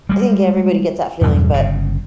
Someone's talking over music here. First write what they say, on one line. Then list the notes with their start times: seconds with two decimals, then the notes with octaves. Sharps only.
I think everybody gets that feeling, but
0.09 G3 G#3
1.21 E2 G2 B2 F#3
1.54 G1 C#3